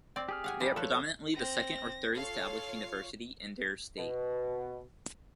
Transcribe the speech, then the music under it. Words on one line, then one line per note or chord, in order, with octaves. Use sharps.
They are predominantly the second or third established university in their state.
C4 D5
G4 G#4 F6
F5 F#5 G#5
F3 G3
F3 A4 B4 C#5
C4 A#6
F4 A4 C#5 F5 C7
B2